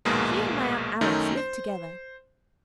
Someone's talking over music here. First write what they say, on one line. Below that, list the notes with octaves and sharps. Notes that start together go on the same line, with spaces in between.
She and my aunt Alice live together.
A#1 D#2 G#2 B2 G#3 A#3
F#2 D#3 A3 C#4 D#4
C5